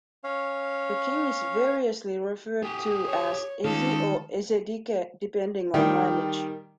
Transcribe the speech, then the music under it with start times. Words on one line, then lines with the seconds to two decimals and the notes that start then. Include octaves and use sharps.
The King is variously referred to as "Eze" or "Ezedike", depending on lineage.
0.24 C#4 C#5 F5
2.63 G4 G#4
3.07 C#5
3.64 D#3 G#3 C#4 F4 A4
5.74 D#3 G3 G4 G5